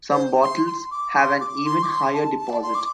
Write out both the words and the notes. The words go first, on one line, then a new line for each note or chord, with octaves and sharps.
Some bottles have an even higher deposit.
C5
C6
C6
D6
C6
D6
C6
D6
C6
A5
A5
D5
C6
D6